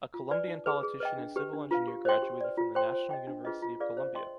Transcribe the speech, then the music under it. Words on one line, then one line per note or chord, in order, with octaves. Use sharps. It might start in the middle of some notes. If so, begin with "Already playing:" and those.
A Colombian politician and civil engineer graduated from the National University of Colombia.
F4
B4 D5 G#5
D#4
G#4 B4
G#4
B4 D#5 G5
D4
G4 B4
D4
F4 B4 F5
G4
C5 D#5 G5 C6
G4
B4 D5
F4
C5 G5 C6
C5
D#5 G5
D4
F4 G#4 B4 D#5
F4
G#4 B4 D5 F5
C5
D#5 G5 C6